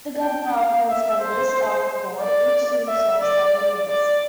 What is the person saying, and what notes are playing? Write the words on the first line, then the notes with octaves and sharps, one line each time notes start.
The governor appoints members of the Board, each of whom serve seven years.
G5
F5
E5
C5
D5
E5
D5
D5